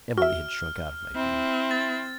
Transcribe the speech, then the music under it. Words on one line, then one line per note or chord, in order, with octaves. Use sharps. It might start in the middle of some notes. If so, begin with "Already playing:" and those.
Emily had shrunk out of my view.
F#4 E5 F6
C4 E4
A6